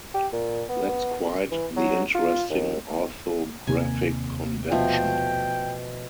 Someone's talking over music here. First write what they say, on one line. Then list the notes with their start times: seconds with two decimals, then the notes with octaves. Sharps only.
That's quite the interesting orthographic convention.
0.14 G4
0.33 A#2
0.69 B3
1.51 E3
1.77 F#3
2.15 F4
2.50 D#2
3.67 D#2 C3 A#3 G#5
4.72 B2 F3 A3 G5